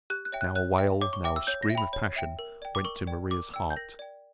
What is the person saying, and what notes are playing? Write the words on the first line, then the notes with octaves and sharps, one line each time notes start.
Now a wail, now a scream of passion, went to Maria's heart.
G4 F#6
F#6
C#5 E5 G5
F#6
C#5 F#6
E5 G5
C#5 D6
C#6
E5 G5 D6
E6
C#5 G6
A#6
E5
G5 B5
C#5
E5 G5
A#4
D5 G5
D6
A#4 C#6
D5 G5
A#4 D6
D5 G5 E6
G6
A#4 A#6
D5 G5